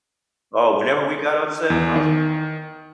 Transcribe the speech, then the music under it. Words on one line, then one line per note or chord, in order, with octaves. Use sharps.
Oh, whenever we got upset about the
E2
D#3